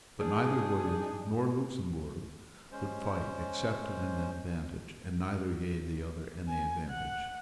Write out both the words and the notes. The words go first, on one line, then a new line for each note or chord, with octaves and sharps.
But neither William nor Luxemburg would fight except at an advantage; and neither gave the other any advantage.
D4 D#4 G#4
G#3 C#4 C5
G#5
F#5